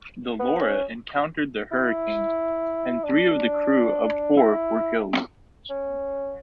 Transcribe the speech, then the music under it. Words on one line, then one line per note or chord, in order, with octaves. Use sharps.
The "Laura" encountered the hurricane, and three of the crew of four were killed.
B3
C#4
E4
D4
E4
C#4